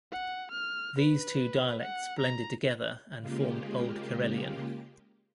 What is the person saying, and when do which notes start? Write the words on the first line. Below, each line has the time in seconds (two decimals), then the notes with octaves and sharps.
These two dialects blended together and formed Old Karelian.
0.12 F#5
0.51 F6
0.98 B4
1.81 F#5
2.20 A#5
3.20 C#3 G#3 A#3 F4 G4